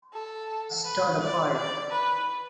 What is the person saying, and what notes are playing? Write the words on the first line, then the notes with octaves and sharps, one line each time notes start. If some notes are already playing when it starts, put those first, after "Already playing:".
Start a Fire.
A4
B4
D5
D5
B4